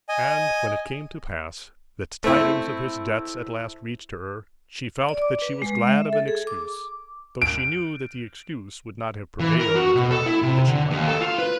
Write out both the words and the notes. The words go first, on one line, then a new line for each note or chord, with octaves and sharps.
And when it came to pass that tidings of his debts at last reached her, she felt that she was glad of an excuse, though she knew that the excuse would not have prevailed with her had she liked him.
D#5 G#5
A3 C4 E4
D5
D6
B4
G#3
E5
A4
G#4
D6
D7
E3
A#4
F#4
B2
A4
E4
C3
D3
D#2
A4
F4
B4